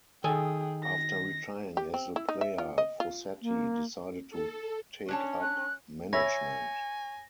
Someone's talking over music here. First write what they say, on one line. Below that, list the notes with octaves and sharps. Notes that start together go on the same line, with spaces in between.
After retiring as a player, Fossati decided to take up management.
D#3 G#4 A4 G5 G#5
A#6
G4
C4
E4
D#4
E5
F4
D#5
F4
A#3
A4
C#4 D4 C#5 A5
F#6
C#5 E5 G#5 B5 A#6